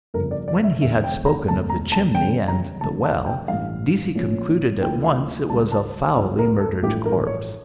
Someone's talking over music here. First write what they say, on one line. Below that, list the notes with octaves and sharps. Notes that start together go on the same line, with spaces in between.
When he had spoken of the chimney and the well Deasey concluded at once it was a foully murdered corpse.
G1 F2 C#3 A#4
D5
D5
E5
E1 E2 D3 F3 E5
G5
A#5
E1 D2 D3 A5
A#5
A5
E2 C#3 G3 C#4 G5
A#5
F2 D3 A3 A5
A5
G5
A1 G2 E3 G3 C#4 F5
A#1 A2 F3 C#4
D2 D3 F3 A#3 E4 G5
F5
C#2 C#3 G3 A5
A5
C#2 C#3 F3 D5
A#4
A4
A1 G2 F3 A3 E4 G4
A#4
C#5